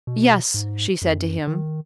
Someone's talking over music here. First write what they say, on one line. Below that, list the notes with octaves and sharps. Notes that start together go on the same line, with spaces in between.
"Yes," she said to him.
B2
G#2
F#2
F2
F#2
D#3